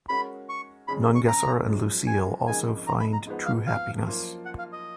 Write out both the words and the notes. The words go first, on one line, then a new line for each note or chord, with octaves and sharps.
Nungesser and Lucille also find true happiness.
G#3 C#4 F#4 A#4 B5
C#6
F2 C#3 G#3 C#4 G#4 B5
C#6
A#5
F#2 F3 G#3
G#5
F2 C#3 G#3 D#4 A#4 G#5
A#5
B5
A#5
G#2 F3 G#3 B3
F5
F5
F#2 F3 A#3 F4 A#4
F#5
F5
D#5